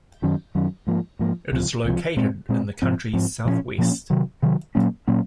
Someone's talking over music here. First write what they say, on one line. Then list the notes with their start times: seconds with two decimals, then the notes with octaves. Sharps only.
It is located in the country's southwest.
0.22 F#2 D#3 F#3 C#4
0.55 F#2 D#3 F#3 C#4
0.87 G#2 F3 A#3
1.19 G#2 F3 A#3
1.52 C#2 C3 F3
1.85 C#2 C3 F3
2.17 A#2 G#3 C4
2.49 A#2 G#3 C4
2.82 G#2 F3 C4
3.13 G#2 F3 C4
3.45 A#2 F3 A#3 C#4
3.78 A#2 F3 A#3 C#4
4.10 C3 D#3 F#3
4.42 C3 D#3 F#3
4.75 A#2 F#3 A#3 C#4
5.08 A#2 F#3 A#3 C#4